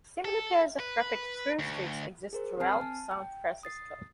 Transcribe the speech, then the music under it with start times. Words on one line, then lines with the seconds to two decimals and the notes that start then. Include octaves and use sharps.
Similar pairs of rapid through-streets exist throughout San Francisco.
0.25 A4
0.80 B4
1.59 D2
2.33 G#4 A#4 C5
2.60 C4 G#5 A5 F6 C7
2.81 A5
3.11 G5
3.63 D#6 A6 C7